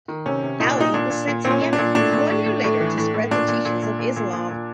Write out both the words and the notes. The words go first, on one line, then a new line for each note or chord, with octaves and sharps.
Ali was sent to Yemen one year later to spread the teachings of Islam.
D#3
C3 C#4
C3
A#2 D#4
D4
A#2 D#4
A#2 D4
A#2
A#2
A#2 C4
C#4
A#2
D4
A#2
A2 D4
A2
A2
A2
A2
E3
A2
A2
A#2 D4
A#2
A#2
A#2
A#2
A#2
A#2
A#2